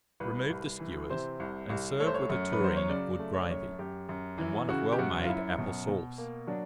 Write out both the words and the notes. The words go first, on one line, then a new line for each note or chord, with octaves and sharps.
Remove the skewers, and serve with a tureen of good gravy, and one of well-made apple-sauce.
C2 B4
C2
E3
C3 C5
C2
C2
A3 C#5
C5
C#5
F#2
B4
F#3 C5
C#5
C#3 D5
A3
C#5
D5
F#2 C#5
F#2 G4
F#2
E3
C#3 F#4
G4
F#2 F#4
F4
F#2 E4
B2
B2
A#3
F#3 D4